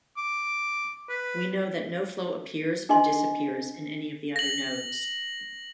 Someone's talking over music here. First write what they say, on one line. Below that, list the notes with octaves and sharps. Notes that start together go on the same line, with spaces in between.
We know that no flow appears or disappears in any of the other nodes.
D6
B4
D4 G#4 D#5 G#5 C6
A#6 F#7